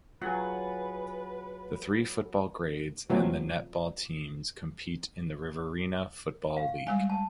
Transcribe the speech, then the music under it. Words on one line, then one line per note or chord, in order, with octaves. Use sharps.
The three football grades and the netball teams compete in the Riverina Football League.
F#3 F4 G#4 B4 F#5
F2 C3 E3 F#3 A3 A#3
F5
G3 G#3 G#5
A5